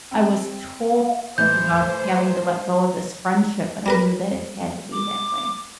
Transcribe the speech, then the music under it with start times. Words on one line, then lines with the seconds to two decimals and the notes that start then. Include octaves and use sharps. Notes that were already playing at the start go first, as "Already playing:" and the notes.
I was tore up about having to let go of this friendship, but I knew that it had to be that way.
0.11 C4
1.38 A2 E3 C5 G6
3.86 G3 A#4 B4
4.92 D6